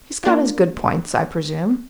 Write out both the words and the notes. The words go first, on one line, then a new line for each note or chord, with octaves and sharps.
"He's got his good points, I presume."
A#3 D4 F4